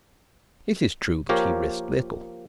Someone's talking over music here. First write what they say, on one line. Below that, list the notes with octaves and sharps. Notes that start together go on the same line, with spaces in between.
It is true that he risked little.
F3 A#3 G4 A#4 C#5